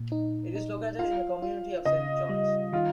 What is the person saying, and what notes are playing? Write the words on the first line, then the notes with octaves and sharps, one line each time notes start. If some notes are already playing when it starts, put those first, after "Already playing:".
It is located in the community of Saint Johns.
Already playing: A#2
D#4
D#4
F4 F5
F4
C#3 D#5
G3
D#3 F4